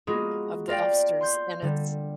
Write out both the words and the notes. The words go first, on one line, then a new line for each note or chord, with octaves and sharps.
of the Elfsters and it's
G#3 A#3 B3 F4 F#4 G#4
F4 A#4 D5 F5 G5
C6 G6
D3 G3